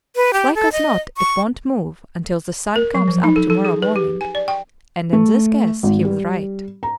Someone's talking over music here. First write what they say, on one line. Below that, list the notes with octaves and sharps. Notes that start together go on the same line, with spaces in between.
"Like as not it won't move until the sun comes up tomorrow morning," and in this guess he was right.
B4
G4
A4
D#5
C#6
A#4
F#3
F3
D#4
A4
A4
G#4
B4
G4
G#5
D5
G5
A3
G#1
G3
A#5